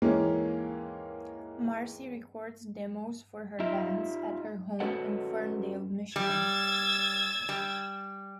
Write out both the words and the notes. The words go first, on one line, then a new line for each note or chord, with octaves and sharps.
Marcie records demos for her bands at her home in Ferndale, Michigan.
D#2 E3 G#3 A#3 C#4
D#4 F4 G4 D#5 E5
C#4 F#4 A4 B4 D#5 F#5
G3 E6 G#6 A6
G3